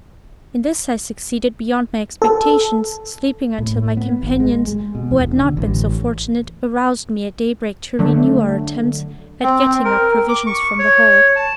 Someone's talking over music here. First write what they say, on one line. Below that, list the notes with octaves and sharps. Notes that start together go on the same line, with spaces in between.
In this I succeeded beyond my expectations, sleeping until my companions, who had not been so fortunate, aroused me at daybreak to renew our attempts at getting up provisions from the hull.
A4
A2
B3
G#1
G#3
G#3
B2
E2
E1
D3
A1
D3 F#3 A3
C4
A#4
D6
C#6
C#5
A5